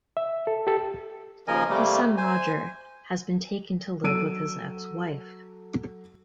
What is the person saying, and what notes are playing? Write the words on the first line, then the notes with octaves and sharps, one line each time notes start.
His son Roger has been taken to live with his ex-wife.
E5
A4
G4 A4
D#2 C#3 F3 A#4 D#5 G#5
C3 G3 A3 A#3
C5 G#5
F#3 A4 E6 D7 D#7